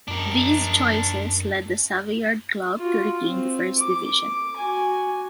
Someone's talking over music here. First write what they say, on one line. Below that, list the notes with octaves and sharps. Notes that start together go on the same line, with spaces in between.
These choices led the Savoyard club to regain the first division.
F#2 D4 A#4
F4 F#4
C4
D6
F#4 G#5